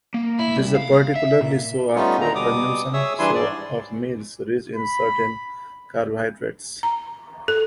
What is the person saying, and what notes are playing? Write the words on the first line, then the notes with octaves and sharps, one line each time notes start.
This is particularly so after consumption of meals rich in certain carbohydrates.
A#3
E4
C2
F5
E5
A#2
G3 A3 B3 C#4 D#4 F4
D#2 D3 A#5
B2 G3 D6 D#6
G#4 C#5 E5 D#6 E6
E3 G3 D4 E4 G#5 C6
G#2 D5
B5
A#5
A4